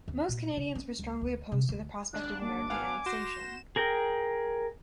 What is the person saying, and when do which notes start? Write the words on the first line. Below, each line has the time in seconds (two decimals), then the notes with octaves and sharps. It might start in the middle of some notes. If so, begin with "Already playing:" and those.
Most Canadians were strongly opposed to the prospect of American annexation.
0.08 D#2
0.29 A#2
0.57 C#3
0.75 C#4
0.99 C#2
1.21 D2
1.52 C3
1.69 D2
2.13 G#1 D4 F#6
2.41 A#3 D6
2.70 B3 F5 F#5 G#5
3.06 F#4 C6 G6 A#6 E7
3.76 G#4 A#4 G5